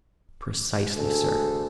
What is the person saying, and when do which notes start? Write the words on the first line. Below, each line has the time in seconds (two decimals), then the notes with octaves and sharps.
"Precisely, sir."
0.95 D2 G#4 A4